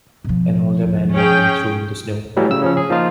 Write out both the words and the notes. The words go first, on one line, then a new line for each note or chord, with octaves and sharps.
An older man walking through the snow.
B2 F3
C#4 G#4 G5
A2 E3 F#3 G3
C#3 E6
C#3 F3 C#4
G#4
F3 A#3 D#4 F4